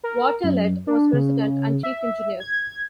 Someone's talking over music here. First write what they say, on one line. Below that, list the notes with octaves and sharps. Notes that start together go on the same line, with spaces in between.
Vautelet was President and Chief Engineer.
A#4
F#2
D4
C#3
E5
G#6